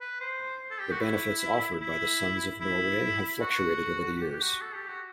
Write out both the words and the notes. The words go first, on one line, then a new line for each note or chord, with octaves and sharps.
The benefits offered by the Sons of Norway have fluctuated over the years.
B4
C5
A4
G4
F#4
E4
E4
E4
F#4
G4
F#4
A4
G4
F#4